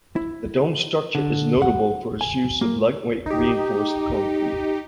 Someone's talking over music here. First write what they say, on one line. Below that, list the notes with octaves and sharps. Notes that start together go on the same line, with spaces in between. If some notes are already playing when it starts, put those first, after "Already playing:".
The domed structure is notable for its use of lightweight reinforced concrete.
E4
D3
F#5
G#5
A#3
D#4 G4